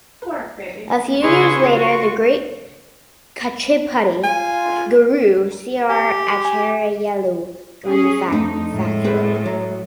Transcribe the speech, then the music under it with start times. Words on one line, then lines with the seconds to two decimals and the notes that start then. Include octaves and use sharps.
A few years later the great Kuchipudi guru, c R Acharyelu joined the faculty.
1.21 C#3 E4 G#4 B4 C6 C#6
1.72 F4 F#4 C#6
4.24 F4 G#5
5.90 G4 G#5
6.45 G#5
7.87 C#4 G#4
8.32 F2 A3 D4 D#4
8.73 A2 G#3
9.04 C4 G#4 B4
9.46 F#3